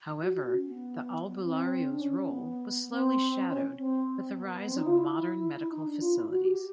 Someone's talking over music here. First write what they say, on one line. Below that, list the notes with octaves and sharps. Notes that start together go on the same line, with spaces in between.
However, the albularyo's role was slowly shadowed with the rise of modern medical facilities.
F#4
F#4
C#4
B3
C4
D4
C#4
B3
C4
C#4
C4
B3
C4
D#4
F4
E4
E4
D#4
D4
F4
E4
F#4
G4